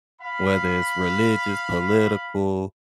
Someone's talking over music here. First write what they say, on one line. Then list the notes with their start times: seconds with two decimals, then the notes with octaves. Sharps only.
whether it's religious, political,
0.21 F5 B5